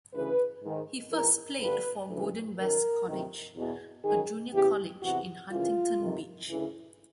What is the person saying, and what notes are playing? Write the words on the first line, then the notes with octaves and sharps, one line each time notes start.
He first played for Golden West College, a junior college in Huntington Beach.
D2 C#3 E3 B4
G#2 D#3
G#2 E3 A#4
G2 D3 B4
D2 C#3 E3
F#2 D#3 A#4
D2 C3 D#3
E2 B2
F#2 D#3 G#4
E2 C#3 E3 G4
E2 C3 E3 F#4
F#2 C#3 E3 F4
F2 C3 D#3
D2 C#3 E3